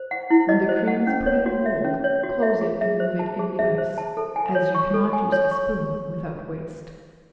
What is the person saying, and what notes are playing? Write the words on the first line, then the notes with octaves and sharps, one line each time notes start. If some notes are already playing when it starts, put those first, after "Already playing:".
When the cream is put in a mould, close it and move it in the ice, as you cannot use a spoon without waste.
Already playing: C5
F#5
E4
D#5
C5
F#5
C#4
C#5
F#4
E5
C#4
C#5
F#4
E5
G#4
E5
C5
A5
G#4
E5
C5
A5
A4
G#5
C#5
C#6
A4
G#5
C#5
C#6